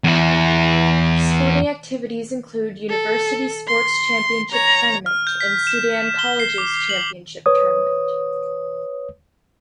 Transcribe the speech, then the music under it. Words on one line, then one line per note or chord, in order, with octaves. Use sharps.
Sporting Activities include university sports championship tournament and Sudan colleges championship tournament.
E2 E4
A4
C6
C#5 A#5
F6
G6
B6
E7
G7
C7
D6
F#7
B4 C#5 D#6